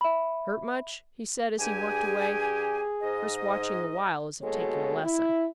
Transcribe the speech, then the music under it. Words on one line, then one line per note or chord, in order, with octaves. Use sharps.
"Hurt much?" he said, as he worked away, Chris watching the while as if taking a lesson.
E5 B5
G2 G4 G#4 G#5
G#2 D#5
D#2 B2 G#3 F#4 A4 C#5
E4